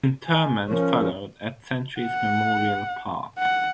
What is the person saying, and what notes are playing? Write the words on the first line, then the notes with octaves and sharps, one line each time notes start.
Interment followed at Centuries Memorial Park.
G#5
F3 C#4 A#4
F#5
F#5